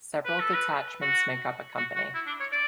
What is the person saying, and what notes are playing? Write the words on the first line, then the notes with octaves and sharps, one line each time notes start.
Several detachments make up a company.
B4
A4
B4
F#4
F#4
F#4
E4
D4
C#5
D5